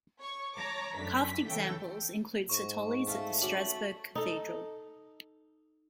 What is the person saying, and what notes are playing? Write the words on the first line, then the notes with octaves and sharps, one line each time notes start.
Carved examples include citoles at the Strasbourg Cathedral.
C#5 C#6
C#5 A5 A#5 D6
F#2 A3 D4 B6
C#3 E3 A3 A4 G5
G#2 C#6
A3 C4 F5
C#4 F#4 D6 F#7
D#4 A4